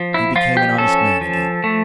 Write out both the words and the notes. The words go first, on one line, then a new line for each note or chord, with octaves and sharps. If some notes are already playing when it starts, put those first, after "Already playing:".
"He became an honest man again!"
Already playing: F3
E4
F3 F4
G4
C#4 A4
F3
A3